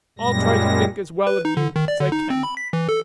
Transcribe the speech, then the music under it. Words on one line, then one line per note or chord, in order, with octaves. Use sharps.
I'll try to think as well of you as I can.
F#2 A#2 G3 G#3 A#6
B4
D#4
D3
D#3
D5
D3
D#4
C4
B5
B6
E3
A4